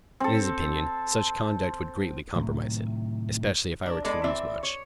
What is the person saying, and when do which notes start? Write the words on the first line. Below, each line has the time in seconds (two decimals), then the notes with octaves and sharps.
In his opinion, such conduct would greatly compromise him--especially if I were to lose much.
0.20 C4 A4
2.36 A2 C3 D#3 F#3
3.83 D4 A#4
4.04 G#3 B3 A4 D5
4.24 E3 C4 D5 E5
4.63 C#5